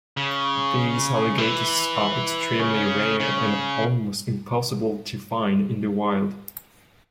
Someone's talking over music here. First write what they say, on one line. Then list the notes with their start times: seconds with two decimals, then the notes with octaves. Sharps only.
These alligators are extremely rare and almost impossible to find in the wild.
0.17 C#3
1.38 E3
2.59 C#3
3.20 C#3